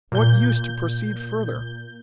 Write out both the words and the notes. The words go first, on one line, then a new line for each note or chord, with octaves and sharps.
What use to proceed further?
A#2 G6